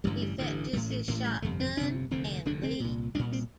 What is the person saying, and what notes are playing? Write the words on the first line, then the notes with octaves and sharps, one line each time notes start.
He fetches his shotgun and leaves.
A1 G2 D3 G3
G3
A1 G2 D3
A1 A2 G3
A3
A1 A2 A#3
G3
G1 F2 C3 A3
C4
G1 F2 C3 D4
F1 D#2 D3 C4
F1 D#2 D3 D4
C4
C2 A#2
C2 A#2 D4
C4